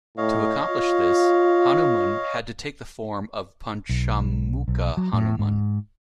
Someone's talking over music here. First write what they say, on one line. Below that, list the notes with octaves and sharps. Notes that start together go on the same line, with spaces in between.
To accomplish this Hanuman had to take the form of Panchamukha Hanuman.
A2 C#5 D#5 F5
F4
B1
B1
F#3
A2
G#2